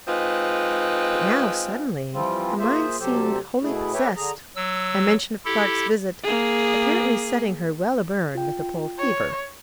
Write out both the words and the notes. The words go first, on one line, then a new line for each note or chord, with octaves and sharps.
But now, suddenly, her mind seemed wholly possessed, my mention of Clark's visit apparently setting her well a-burn with the Pole-fever.
G#3 C4 D#4 F4 B4
E3 F3 G3 C4 F4
A#3 F4 G#4 C5 E5
D2 C3 F#3 G4 A4 C5
B2 A3 E4 G#4
G4 A4 B4 C#5 E5 G5
D3 G#4 A#5
F#3 E6
E4 G4 A4
A#3 G#4
F4 G5
C#5